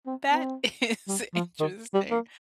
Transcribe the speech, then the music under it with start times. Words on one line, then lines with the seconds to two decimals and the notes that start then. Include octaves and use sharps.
That is interesting.
0.07 C4
0.32 C4
1.08 G3
1.34 F3
1.60 D#3
1.94 G3
2.11 A#3